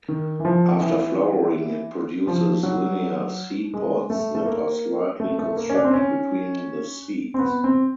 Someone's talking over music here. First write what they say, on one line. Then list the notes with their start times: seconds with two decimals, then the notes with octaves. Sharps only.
After flowering it produces linear Seed pods that are slightly constricted between the seeds.
0.09 D#3
0.39 E3
0.45 F3
0.81 E3
2.27 F3
2.63 F#3
3.74 G#3
4.10 A3
4.35 A3
4.46 A#3
5.20 A3
5.39 A3
5.57 A#3
5.69 C#4
5.75 D4
5.84 C4
5.93 C#4
7.34 C4
7.39 B3
7.64 C4